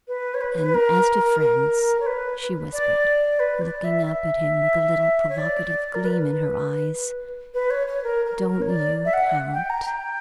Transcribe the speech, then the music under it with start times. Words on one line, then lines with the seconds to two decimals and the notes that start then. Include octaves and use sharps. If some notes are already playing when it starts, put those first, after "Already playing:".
And as to friends," she whispered, looking up at him with a little provocative gleam in her eyes, "don't you count?
0.08 B4
0.34 C#5
0.41 B4
0.62 B4
0.74 A#4
1.40 A#4
2.00 C#5
2.06 B4
2.73 D5
3.39 B4
3.62 D5
3.84 E5
4.06 E5
5.29 C#5
5.38 D5
5.94 A#4
6.05 B4
7.54 B4
7.70 C#5
7.87 C#5
8.03 A#4
8.25 A#4
8.47 A#4
8.62 C#5
8.69 D5
9.05 E5
9.13 F#5
9.53 G5
9.70 A#5
9.86 G5